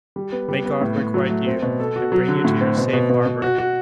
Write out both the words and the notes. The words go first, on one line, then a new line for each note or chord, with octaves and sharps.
May God requite you, and bring you to your safe harbor!
G3
B3
G3
B3
A2
A2
F#3
A3
C4
B2
A4
F#4
F#3
D3
A2
C4
B2
B2
B2
B2
F#4
F#4